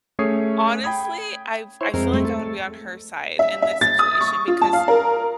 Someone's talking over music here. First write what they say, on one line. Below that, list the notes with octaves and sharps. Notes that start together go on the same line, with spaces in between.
Honestly, I f I feel like I would be on her side in this situation, because
A3 C#4 G#4 C#5 D#6 C7
G5 B5 D#6 G#6
E4 C5 C#5
F2 G#3 C4 A#4
A3
A4
E5
E5
A6
D#6
C#6
F4
A5
F5
A#4